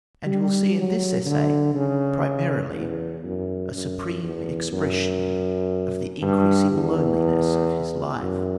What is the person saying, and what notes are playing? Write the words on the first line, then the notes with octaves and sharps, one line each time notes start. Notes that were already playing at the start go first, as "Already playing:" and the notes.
And you will see in this essay, primarily, a supreme expression of the increasing loneliness of his life.
G3
F#3
D3
C#3
E2
F#2
F#2
E2
F#2
G2
E2
F#2